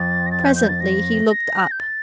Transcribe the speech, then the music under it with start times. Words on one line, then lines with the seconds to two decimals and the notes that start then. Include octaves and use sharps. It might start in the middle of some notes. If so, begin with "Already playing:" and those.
Presently he looked up.
Already playing: F2 A6
0.26 A#6
0.31 A6
0.44 G6
0.56 G6
0.69 A6
0.81 A#6
1.30 A#6
1.71 G6
1.79 A6